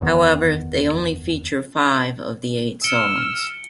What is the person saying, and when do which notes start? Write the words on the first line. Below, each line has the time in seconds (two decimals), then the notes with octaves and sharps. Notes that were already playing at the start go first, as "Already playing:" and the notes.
However, they only feature five of the eight songs.
0.01 F#1 E2 D#3 B3
2.84 E6 F6 C#7 D7 G7